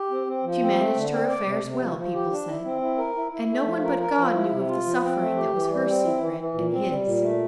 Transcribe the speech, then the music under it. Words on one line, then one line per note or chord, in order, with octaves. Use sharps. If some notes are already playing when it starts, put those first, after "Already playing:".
She managed her affairs well, people said, and no one but God knew of the suffering that was her secret and His.
Already playing: G4
C4
C4
F3
C4
A3
D3
C4
D5
C3
C3
F3
F3
G4
D4
E4
C4
E4
A#4
E4
E4
A3
F3
A#4
A#4
F3
E4
C3
F4
F3
C4
A3
G4
E3
G3
C4
E4
E3
E3
A#2
C4
G3
A#2
A3